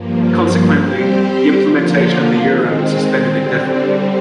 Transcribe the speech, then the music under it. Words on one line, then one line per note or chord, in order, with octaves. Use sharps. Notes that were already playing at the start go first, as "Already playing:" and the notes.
Consequently, the implementation of the Euro was suspended indefinitely.
Already playing: G2 F3 A#3
G3 C4 G4 C5
D3 F3 A#3 F4
D#3 G#3 C4
D3 G3 C4